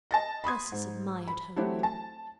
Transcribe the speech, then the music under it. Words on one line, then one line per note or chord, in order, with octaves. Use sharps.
Ursus admired Homo.
D#5 A5 A6 A#6
B5 C6 D#6 G#6
G#2
B5
F#3 A3 C4 E4 F#4 G4
A5